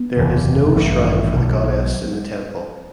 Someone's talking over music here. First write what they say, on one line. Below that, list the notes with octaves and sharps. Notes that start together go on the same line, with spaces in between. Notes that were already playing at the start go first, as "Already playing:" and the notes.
There is no shrine for the Goddess in the temple.
Already playing: B3
F#1 E2 C3
A1 G2 E3
D#3
B1 B2